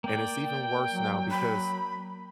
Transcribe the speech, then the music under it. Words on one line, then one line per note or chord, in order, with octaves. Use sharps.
And it's even worse now because
A#3 D5 G5
F#3
B5